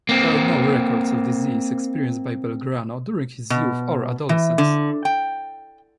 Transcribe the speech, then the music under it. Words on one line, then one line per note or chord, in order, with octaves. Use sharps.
There are no records of diseases experienced by Belgrano during his youth or adolescence.
A#3 C4
B2
E3
D3
G5